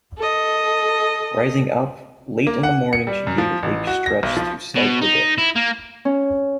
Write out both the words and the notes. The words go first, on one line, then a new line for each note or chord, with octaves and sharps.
Rising up late in the morning she gave a big stretch to start the day.
A4 D#5
A#3
F#5
C#7
G3
F#2
F3
A1
F#4
A#6
B1
F3
B2
D#4
E4
A#3
C#4